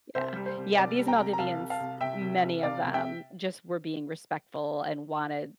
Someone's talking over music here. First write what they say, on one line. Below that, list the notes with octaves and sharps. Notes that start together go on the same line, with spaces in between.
yeah. Yeah, these Maldivians, many of them, just were being respectful and wanted
C2 C5 E5
G3
C5
C2
C2 D5
G3
G5 A#5
C2
A#5
C2 F5 A5
C2
F5 A5
C2
C3 E5 G5
C2
C2
C3 D5 F5
C3
E5 G5